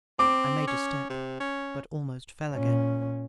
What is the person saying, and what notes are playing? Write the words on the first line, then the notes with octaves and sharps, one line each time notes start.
I made a step, but almost fell again.
C4 D6
C#4
C3
C#4
A#2 C#4